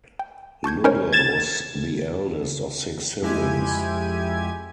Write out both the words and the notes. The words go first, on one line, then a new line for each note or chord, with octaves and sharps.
Lubbe was the eldest of six siblings.
G5
A5 C#6 G6 G#6
C#4 D#4 A#4 C5 C#5
G#6 A6 E7
F2 G#3 E4 G4 G#5 G#6